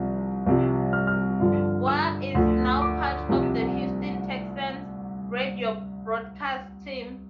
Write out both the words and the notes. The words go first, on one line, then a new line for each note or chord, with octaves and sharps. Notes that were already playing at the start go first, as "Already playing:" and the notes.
Ware is now part of the Houston Texans' radio broadcast team.
Already playing: C2 C3 F3
C2 C3 F3
F6
F6
G2 D3 F3
E6
D2 D3 F3
D6
C2 C3 F3